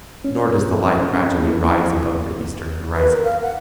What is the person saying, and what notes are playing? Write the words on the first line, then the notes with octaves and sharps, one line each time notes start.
Nor does the light gradually rise above the eastern horizon.
C#4
C#4
A#3 E4
B4
A#4
F5
F#5